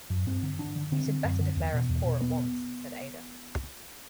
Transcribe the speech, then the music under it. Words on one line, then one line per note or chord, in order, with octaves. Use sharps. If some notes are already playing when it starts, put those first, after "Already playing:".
"It had better declare us poor at once," said Ada.
F#2
G2 C4
D3
D3 D4
D3
D3 C4
D3
F#2
D3
E2
B2
E2
B2
B3